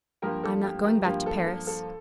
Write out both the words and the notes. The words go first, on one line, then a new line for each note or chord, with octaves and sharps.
"I am not going back to Paris."
G2 F3 A#3 G4 A#4
A4
G4
G4 A#4
G2 F3 A#3 G4
A4
A4
A4